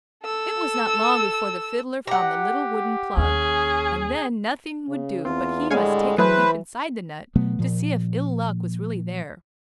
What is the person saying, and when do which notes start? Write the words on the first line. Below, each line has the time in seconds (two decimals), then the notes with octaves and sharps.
It was not long before the Fiddler found the little wooden plug, and then nothing would do but he must take a peep inside the nut to see if Ill-Luck was really there.
0.24 A4 E6
2.07 G4 F#5 A#5
3.17 D#2 C#4 G#4
4.89 C#3
5.25 E2 C4 F4
5.70 A2 D3 G3 G#3 C#5 F5 G#5
6.18 E3 F#3 A3 G#4 B4 C5
7.35 B2 F#3 A3 B3
7.59 A#2 F3